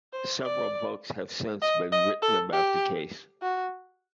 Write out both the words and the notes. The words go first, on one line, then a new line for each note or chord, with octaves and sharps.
Several books have since been written about the case.
C5
D5
D#5
D#5
A4
G4
F#4